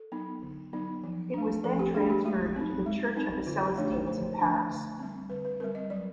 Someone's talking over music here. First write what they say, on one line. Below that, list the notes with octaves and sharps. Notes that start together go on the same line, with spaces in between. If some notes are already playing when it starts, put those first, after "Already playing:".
It was then transferred to the church of the Celestines in Paris.
Already playing: A4
F#3 B3 D#4
D3
F#3 B3 D#4
F3
A3 D4
F3 A4
G4
A3 D4 G#4
G4
G#3 F#4
C4 D#4
G#3
C4 D#4
D3 F4
G4
F3 A3 D4 C#5
C5
D3 C5
F3 A3 D4
D3
G3 C4
D3 B4
B4
G3 C4 A#4
D#5
F#3 D5